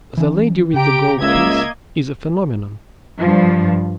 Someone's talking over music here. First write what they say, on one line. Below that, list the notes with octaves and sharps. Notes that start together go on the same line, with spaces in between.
"The lady with the gold piece" is a phenomenon.
E3 C#4
C#3 G4 G5 A#5 D7
C#2 A#3 D#5 E5 E6 G#6
G2 F3